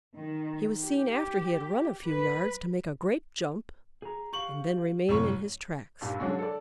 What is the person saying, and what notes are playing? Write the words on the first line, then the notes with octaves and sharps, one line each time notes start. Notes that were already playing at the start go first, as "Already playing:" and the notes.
He was seen after he had run a few yards to make a great jump, and then remain in his tracks.
D#3
G4
B4
G#4 A#5
G4 F5 C#6 F#7
A1 F#2 C3 C#5 C#6
A#1 G2 A#2 G3
D3 F#3 G#3 C#4 D4
A4 D5